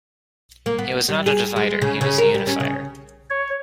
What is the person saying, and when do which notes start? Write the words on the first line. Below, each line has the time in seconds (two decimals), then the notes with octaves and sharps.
He was not a divider; he was a unifier.
0.66 A#3
0.78 B3
1.09 G3
1.26 G#4
1.56 G#3
1.82 C#3
2.01 C#3
2.18 A#4
2.34 G3
2.47 C#4
2.60 C#3
3.30 C#5